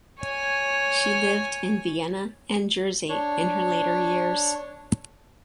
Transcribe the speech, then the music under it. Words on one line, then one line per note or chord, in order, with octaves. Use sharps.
She lived in Vienna and Jersey in her later years.
C#5 G#5
D4 C#5